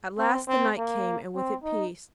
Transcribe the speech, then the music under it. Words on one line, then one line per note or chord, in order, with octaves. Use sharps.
At last the night came, and with it peace.
C4
C4
A#3
C4
D#4